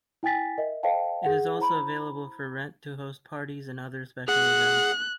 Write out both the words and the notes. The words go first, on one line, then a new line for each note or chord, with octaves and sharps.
It is also available for rent to host parties and other special events.
E4 G5 G#5 A6 B6
A#4 D#5 E5
A4 C5 D#5 F5 G5 A5
G#4 F#5
E4 C5 A#5 B5
G#4 F#5 F#6